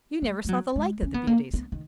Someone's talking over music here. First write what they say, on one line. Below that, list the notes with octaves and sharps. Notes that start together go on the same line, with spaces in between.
You never saw the like of the beauties!
G#3
G#3
F#3
G#3
C#4
B3
A#3
B3
D#3